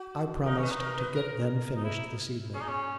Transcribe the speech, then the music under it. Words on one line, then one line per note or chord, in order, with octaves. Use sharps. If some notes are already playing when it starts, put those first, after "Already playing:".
I promised to get them finished this evening.'
Already playing: F#4
D#4 A#4
C#4 B4
D#4
A#4
B4
A#4
D#4
E4
C#4 G#4
D#4
C#4